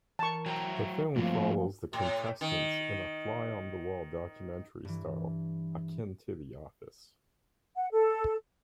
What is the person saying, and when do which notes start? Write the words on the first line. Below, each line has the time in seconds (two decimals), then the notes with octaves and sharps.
The film follows the contestants in a fly-on-the-wall documentary style, akin to "The Office".
0.19 E3 A#4 A5 C#6
0.46 F#3 C5 E5 G5 A#5
1.16 G2 F3 F#3 A3 A#3 C4 F4
1.93 A2
2.41 D#3
4.85 G2 E3
7.76 F#5
7.91 A4